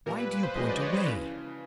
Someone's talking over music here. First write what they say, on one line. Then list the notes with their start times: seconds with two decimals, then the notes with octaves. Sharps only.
"Why do you point away?"
0.06 A#2 G3 B3 A#4
0.18 B4
0.32 B4
0.43 C5
0.55 F3 G#3 C#4 F#4 D#5
0.69 D5
0.81 C#5
0.94 C5
1.07 C#3 E3 B4